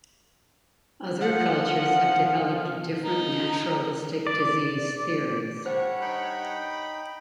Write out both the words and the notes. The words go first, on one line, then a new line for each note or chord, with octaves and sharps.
Other cultures have developed different naturalistic disease theories.
F3 F#5
D#4
D5
G2 C5 C#5 F#5
D#4 G5 B5